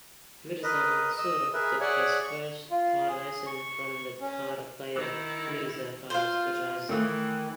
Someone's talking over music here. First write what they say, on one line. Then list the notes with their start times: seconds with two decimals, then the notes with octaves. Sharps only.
Mirza Mansur took his first tar lessons from the tar player Mirza Faraj Rzayev.
0.63 A#4 B4 D#5
1.18 D#5 E6
1.54 G#4 A#4 B4 E5
1.81 G#4 C#5 D5 E5 F#5 G#5
2.23 C#6
2.71 F4
3.08 G#4
3.47 C#6
4.21 C#4
4.95 D#3 E4
6.10 F4 C5 F5
6.89 D#3 E3 A3